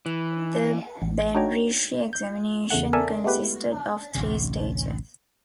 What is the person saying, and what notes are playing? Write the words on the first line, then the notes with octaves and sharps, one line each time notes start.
The benrishi examination consisted of three stages.
E3
A1
D4 D#4 F#4 C#5 G5 A#5
G6
E2 C#3 A3 F#5
A4 A#4 D5 E5 G#5 A5
G#3 A3 B3 G4 B4
A1 D2 C3